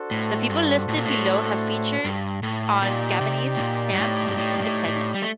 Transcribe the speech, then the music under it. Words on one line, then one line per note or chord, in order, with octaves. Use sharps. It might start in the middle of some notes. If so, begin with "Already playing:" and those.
The people listed below have featured on Gabonese stamps since independence.
Already playing: D4 F#4 A4 C5
A2
G2
A2
A#2
A2
G2
A2
A#2 D#4 G4 D5 G5
C3
A2
A#2
G2
A2
G2
A2
G2
A2
A2
G3
A3